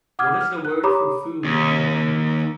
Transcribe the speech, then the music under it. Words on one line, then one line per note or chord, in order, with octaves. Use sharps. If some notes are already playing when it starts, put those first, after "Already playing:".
What is the word for 'food' in your language?
F#5 D6 D#6 F6 G#6
F6
F#6
G4 C#5 A#5 B5 D6 D#6
D#2